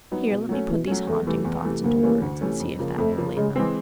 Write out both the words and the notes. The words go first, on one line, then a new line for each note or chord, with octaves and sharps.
Here, let me put these haunting thoughts into words and see if that will lay them.
F#3 B3 D#4
B2
F#3 A3 C#4
B2 E3
F#3 A3 C#4
E2 A3
C3 E3 A3
E2 B3
C3 E3 A3
D2 A#3
C3 E3 A3 C#4
D2
C3 E3 A3 C#4
F2
C#3 F3 A#3
F2 A3
C#3 F3 A#3
C#3 G#3
E3 G#3 C4